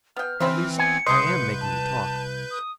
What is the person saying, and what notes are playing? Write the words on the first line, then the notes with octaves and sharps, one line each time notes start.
At least, I am making you talk!
B3 G5 F6
E3 C4 C5 E5 B5
B3 G#5 C#7
C2 G#3 B4 D#5 C6 G6
A5
D#6